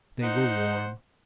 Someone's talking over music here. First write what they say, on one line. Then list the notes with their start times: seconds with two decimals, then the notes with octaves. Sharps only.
They were warm.
0.23 D#4 C5 F#5